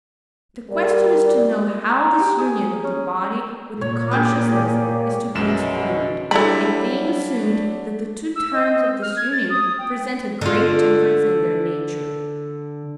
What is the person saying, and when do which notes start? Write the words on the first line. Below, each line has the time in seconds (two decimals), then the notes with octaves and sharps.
The question is to know how this union of the body with the consciousness is to be explained, it being assumed that the two terms of this union present a great difference in their nature.
0.69 G3 A#4 D5
1.89 A#5
2.20 G4
2.39 G#4
2.84 C#4
3.81 A#2 C#5
4.11 A#3 G4 G#4
5.35 A#1 F#2 B2 F#3 C#4 E7
6.31 F#3 G3 D4 E4 A4 B5
8.36 E6
8.53 D#5
9.02 F6
9.17 G#6
9.32 A6
9.50 D#6
9.78 G5
10.41 D3 F4